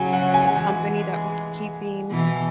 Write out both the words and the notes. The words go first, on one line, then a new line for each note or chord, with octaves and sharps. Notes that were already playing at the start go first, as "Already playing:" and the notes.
of the company that we're keeping.
Already playing: C#3 F#3 G#5
F#5
G#5
E3 G#3
B2 E3